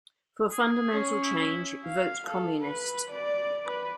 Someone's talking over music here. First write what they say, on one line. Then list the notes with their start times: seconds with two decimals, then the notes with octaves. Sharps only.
For fundamental change, Vote Communist.
0.51 G#4
0.91 C#4
1.23 E4
1.85 F5
2.26 A4
2.61 B4
3.10 D5
3.66 B4